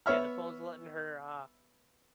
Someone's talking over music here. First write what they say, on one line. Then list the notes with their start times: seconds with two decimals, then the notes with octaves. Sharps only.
yeah, the phone's letting her, uh,
0.06 B3 C#5 E5 F6